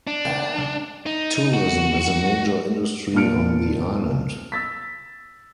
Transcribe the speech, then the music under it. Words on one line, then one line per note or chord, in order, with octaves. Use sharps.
Tourism is a major industry on the island.
D4
D#4
F#4
A#2 D4 A5 F6 C#7 D7
E6 A6 B6